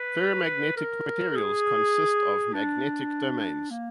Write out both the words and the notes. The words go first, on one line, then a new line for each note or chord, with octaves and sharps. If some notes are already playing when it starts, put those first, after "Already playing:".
Ferromagnetic materials consist of magnetic domains.
Already playing: B4
A#4
G#4
D4
A#3